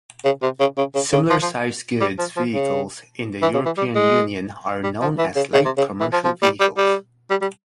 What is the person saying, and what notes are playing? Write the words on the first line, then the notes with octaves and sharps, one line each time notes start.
Similar sized goods vehicles in the European Union are known as light commercial vehicles.
C#3
C3
C#3
C#3
C#3
C#3
F3
F3
G3
F3
F3
C#3
E3
C#3
E3
G3
G#3
G3
F3
E3
C#3
C#3
C3
C#3
E3
F3
F3
G3
G3
G3
G3
G3